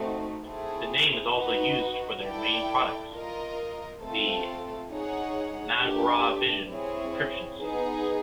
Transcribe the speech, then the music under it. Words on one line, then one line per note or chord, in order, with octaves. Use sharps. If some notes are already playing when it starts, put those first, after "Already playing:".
The name is also used for their main products, the Nagravision encryption systems.
Already playing: A3 C4 D#4 F#4
A3 C4 E4 G#4
D#4 F#4 B4
E4 A4 D5 G5
F4 A#4 D#5
A3 C4 F4 A4
D#4 G#4 C#5 F#5
A3 D4 G4 B4
C4 E4 G#4 C#5
B3 D#4 G#4